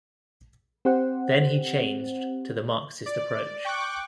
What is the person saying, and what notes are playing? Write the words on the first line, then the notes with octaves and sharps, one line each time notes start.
Then he changed to the Marxist approach.
C4 G4 C5 F#5
D5
G5 C#6 D6 F#6